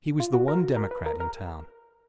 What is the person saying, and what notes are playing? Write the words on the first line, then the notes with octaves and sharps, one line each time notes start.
He was the one democrat in town.
F4
F#4
A#4
A#4
B4
A#4
A#4